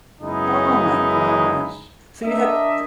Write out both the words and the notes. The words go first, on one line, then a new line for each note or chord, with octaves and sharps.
Oh, my gosh. So you had s
F#2 C#3 G#3 B3 D#4 E4
D4 A#4 D#5 E5